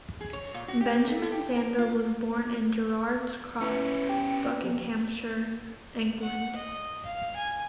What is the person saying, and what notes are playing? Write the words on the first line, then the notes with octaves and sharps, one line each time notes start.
Benjamin Zander was born in Gerrards Cross, Buckinghamshire, England.
G#4
C#5
A#2
F#4
G4
A3
G4
A#4
F4
E3 B3 C#4
G4
F#5
D#5
F5
G#5